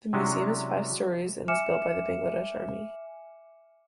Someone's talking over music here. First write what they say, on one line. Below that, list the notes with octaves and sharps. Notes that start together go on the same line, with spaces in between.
The museum is five storeys and was built by the Bangladesh Army.
C3 F#3 G#3 C#4 D4 E4
E5 G#5 D6 F6 C#7 E7